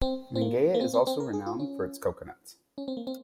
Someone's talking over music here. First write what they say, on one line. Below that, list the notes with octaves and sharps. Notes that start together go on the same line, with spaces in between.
Mangaia is also renowned for its coconuts.
C4
C4
A#3
A#3
C4
C4
C4
A#4
G#4
F4
C#4
C#4
C4
A#3
C4